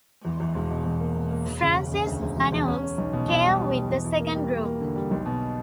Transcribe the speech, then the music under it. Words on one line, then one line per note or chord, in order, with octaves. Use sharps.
Francis Janeaux came with the second group.
E2
E2
E1
B2
E1
A#3
B2
A#3
E1
C#3
C#3
C#3
D2
E1
E1
E1
C#4
C#4
B1
B2
B2
G3
G3
B2
E2
E2
A#3
G3
A#3
A#3
D3
G3
B1
B2